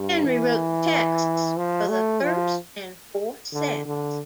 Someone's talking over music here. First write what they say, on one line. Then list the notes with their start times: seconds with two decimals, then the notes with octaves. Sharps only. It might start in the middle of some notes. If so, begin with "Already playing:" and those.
Henry wrote the texts for the first and fourth sets.
Already playing: G2
0.25 E3
1.57 F3
1.89 A3
2.22 F3
3.53 D3
3.85 D3